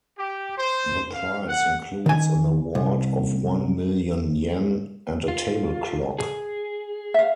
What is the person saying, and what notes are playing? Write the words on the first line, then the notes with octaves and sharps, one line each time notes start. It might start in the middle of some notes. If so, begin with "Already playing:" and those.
The prize includes an award of one million yen and a table clock.
G4
C5
F5
F#5
D#3 G#5
C2
F4
G#4
E5 F5